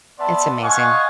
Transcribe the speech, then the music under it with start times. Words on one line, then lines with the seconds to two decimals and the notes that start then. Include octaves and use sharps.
It's amazing.
0.19 B3 D5 E5 A5 C6
0.63 D#5 F5 F#5 G#5 C#6